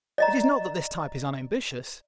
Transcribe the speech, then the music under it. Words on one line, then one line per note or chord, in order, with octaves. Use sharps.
It is not that this type is unambitious.
D5 D#5 A#5